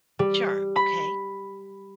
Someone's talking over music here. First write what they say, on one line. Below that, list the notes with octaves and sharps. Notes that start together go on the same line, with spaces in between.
Sure. Okay.
G3
B5